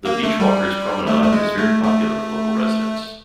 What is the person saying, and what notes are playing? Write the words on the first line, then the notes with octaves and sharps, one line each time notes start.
The Beach Walkers promenade is very popular with the local residents.
A#3
A3
G3
A3
A3
G#3
A3
A3